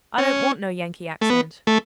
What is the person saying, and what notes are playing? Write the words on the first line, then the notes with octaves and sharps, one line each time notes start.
I don't want no Yankee accent.
C#4
A3
B3
A3